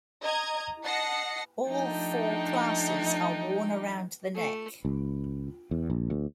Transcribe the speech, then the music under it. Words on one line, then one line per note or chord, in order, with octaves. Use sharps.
All four classes are worn around the neck.
D#5 A#5 G#6
D#5 F#5 A5 A#6 C7 C#7
F3 A3 D4 D#4 G5
A3
C#2
E2
A#1
D2